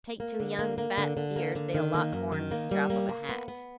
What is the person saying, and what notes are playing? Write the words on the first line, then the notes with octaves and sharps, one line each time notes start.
Take two young, fat steers they'll lock horns at the drop of a hat.
A#3
D3
A#3
A#3
D3
D3
A#3
D3
D#3
A#3
F#2
D#3
A#3
G3
A#3
A#3
B3
B3